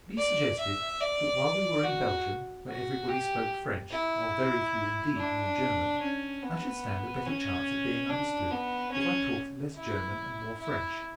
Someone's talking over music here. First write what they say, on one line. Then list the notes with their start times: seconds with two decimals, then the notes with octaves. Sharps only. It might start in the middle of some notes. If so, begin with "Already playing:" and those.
B. suggested that while we were in Belgium, where everybody spoke French, while very few indeed knew German, I should stand a better chance of being understood if I talked less German and more French.
0.17 D5
0.59 E5
1.01 D5
1.83 F#4
2.68 F#4
3.09 G4
3.92 E4
5.17 D4
6.01 C#4
6.42 B3
7.26 C#4
8.09 D4
8.51 B3
8.91 C#4
9.75 E4
10.58 E4